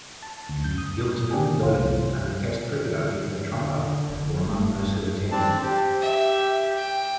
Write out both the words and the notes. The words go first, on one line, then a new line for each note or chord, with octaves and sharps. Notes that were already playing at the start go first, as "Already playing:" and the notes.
Giltinan, Burdon and the Test cricketer Victor Trumper were among those who attended.
A5
D2
F#2 G6
D#6
A#3 D4 G4 G#4
C2 F4
E2 D3
F1 D3
A3
C4 D4 A5
G4
E5
G5